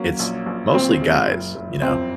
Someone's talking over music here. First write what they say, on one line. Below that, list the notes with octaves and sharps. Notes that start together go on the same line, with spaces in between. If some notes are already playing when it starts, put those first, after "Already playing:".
it's mostly guys, you know,
Already playing: F#3 A#3 C#4
A#1
A#1
A#2 C4
G#3
F#1
F#1
F2 C4